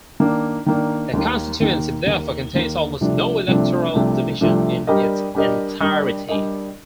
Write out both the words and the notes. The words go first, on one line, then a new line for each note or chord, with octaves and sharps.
The constituency therefore contains almost no electoral division in its entirety.
D#3 A#3 D4
D#3 A#3 D4
D#2 D#3 A#3
D#2 D#3 A#3
D#2 D#3 A#3
D#2 D#3 A#3
C2 C3 F3 A3 D4
C2 C3 F3 A3 D4
C2 C3 F3 A3 D4
C2 C3 F3 A3 D4
G3 D4 G4 A#4 D#5
G3 D4 G4 A#4 D#5
G3 D4 G4 A#4 D#5
G3 D4 G4 A#4 D#5